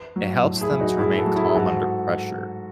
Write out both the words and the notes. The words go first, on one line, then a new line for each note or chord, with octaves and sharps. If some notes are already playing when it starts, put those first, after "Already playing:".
it helps them to remain calm under pressure,
Already playing: B4
F#3
A2
E4 G#4
F#3
D#4 F#4
A2 E4 G#4
F#4 A4
F#3
E4 G#4
G#4
G#2 F#4 A4